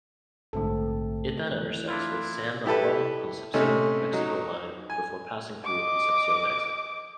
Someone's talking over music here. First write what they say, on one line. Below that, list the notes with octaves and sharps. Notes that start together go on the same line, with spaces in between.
It then intersects with San Manuel–Concepcion–Mexico line before passing through Concepcion Exit.
A#1 G#2 D3 A3 C4 A4
E3 F#6
D4 E4 F4
E4 G4 A4 B4
C3 A3 C#4 D#4
F#3 D#4
G#5
D#5 D6